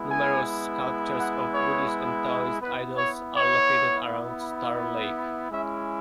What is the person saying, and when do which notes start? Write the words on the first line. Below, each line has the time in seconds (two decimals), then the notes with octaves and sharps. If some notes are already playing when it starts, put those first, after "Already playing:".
Numerous sculptures of Buddhist and Taoist idols are located around Star Lake.
Already playing: G#3 B3 E4
0.09 G#5
1.18 F#5
1.53 C#5
2.61 B3 E4 B4
2.97 C#5
3.34 C#5
5.50 G#3 C#4 E4 E5